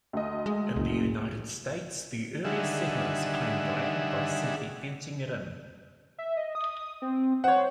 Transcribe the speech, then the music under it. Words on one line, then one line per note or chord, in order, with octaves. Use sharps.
In the United States, the earliest settlers claimed land by simply fencing it in.
D2 D#5
G#3
F#1 C#2
D3 D#3 G3 G#4 E5 F#5
E5
D#5
D#6
C4
C5 C#5 F#5